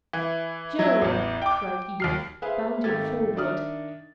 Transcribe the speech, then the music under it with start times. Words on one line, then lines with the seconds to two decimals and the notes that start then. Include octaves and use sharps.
"Joe!" cried Edith, bounding forward.
0.13 E3
0.79 F#3 E4
1.02 A1 E2
1.42 G5 D6
2.00 D#2 F6 C7
2.42 G#4 B4 C5 E5 F5 G#5
2.84 G#1 D#3 A3 G4 G#6 A6
3.37 D#3 D4 D5 E5 D#6 F6